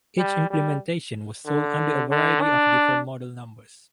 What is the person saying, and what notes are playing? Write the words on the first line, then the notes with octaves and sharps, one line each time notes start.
Each implementation was sold under a variety of different model numbers.
G3
G3
D3
D3
D4